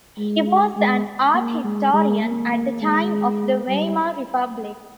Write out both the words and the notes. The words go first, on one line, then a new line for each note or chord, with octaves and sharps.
He was an art historian at the time of the Weimar republic.
G#3
G#3
A#3
G#3
G#3
A#3
A#3
G#3
G3